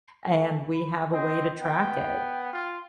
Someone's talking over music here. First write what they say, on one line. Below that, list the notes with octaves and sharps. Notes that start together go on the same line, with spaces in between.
and we have a way to track it,
A3
B5
C4 D#5
B3 G5
F4